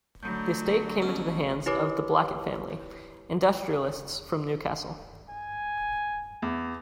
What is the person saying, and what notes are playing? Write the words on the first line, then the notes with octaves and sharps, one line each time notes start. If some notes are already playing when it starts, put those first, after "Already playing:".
The estate came into the hands of the Blackett family, industrialists from Newcastle.
D3 F#3 A3 G6
B2 C#4
E4 G4 B4 C#5 D6
G#5
E2